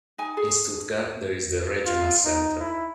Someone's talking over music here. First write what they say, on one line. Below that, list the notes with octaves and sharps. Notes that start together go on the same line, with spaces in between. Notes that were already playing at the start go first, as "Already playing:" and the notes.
In Stuttgart there is the "Regional Center".
D#4 G#5
G#4 A4
F4
D#4
E4